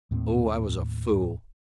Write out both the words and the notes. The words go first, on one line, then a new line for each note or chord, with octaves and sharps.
Oh, I was a fool!
D#2 A2 A3 C4